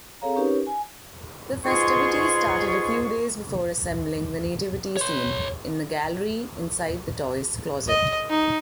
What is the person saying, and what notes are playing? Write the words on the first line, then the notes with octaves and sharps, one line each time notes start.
The festivities started a few days before assembling the nativity scene, in the gallery, inside the toy’s closet.
C4 G#4 A4 C#5 F5 A#5
C#4 D#4 G4 A#4 B4 C#5
G#5
G#2 B2 F4 G#4 C6 C#6
C#5 C6
D#5
D#4